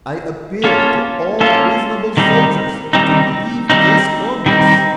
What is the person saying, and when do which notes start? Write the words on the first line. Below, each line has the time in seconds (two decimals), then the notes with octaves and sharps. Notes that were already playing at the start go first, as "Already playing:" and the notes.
"I appeal to all reasonable soldiers to leave this Congress!"
0.64 A#3 C#4 F4 A4
1.40 A#3 C#4 F4 A4
2.17 D#3 G3 C4 D#4
2.93 D#3 G3 C4 D#4
3.70 D#3 G3 C4 D#4
4.46 D#3 G3 C4 D#4